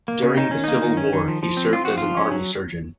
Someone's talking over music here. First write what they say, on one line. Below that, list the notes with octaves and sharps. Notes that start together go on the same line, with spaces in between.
During the Civil War he served as an army surgeon.
A#3
C#3
C#4 D#4
D#3 C#4
A#3 D#4
D#3
C#4
D#3
F3
F3
C4
C4 F4
F3 F#4
F3 F4
C#4
F#3